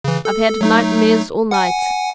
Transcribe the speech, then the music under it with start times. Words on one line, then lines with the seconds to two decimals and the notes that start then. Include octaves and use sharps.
"I've had nightmare all night!"
0.04 C#3 E3
0.25 A4
0.61 F#3 A3 D#4
1.51 F#5 G#5